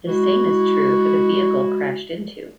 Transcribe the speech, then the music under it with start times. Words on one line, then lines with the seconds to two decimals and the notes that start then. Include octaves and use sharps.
The same is true for the vehicle crashed into.
0.08 G#3 E4 F#4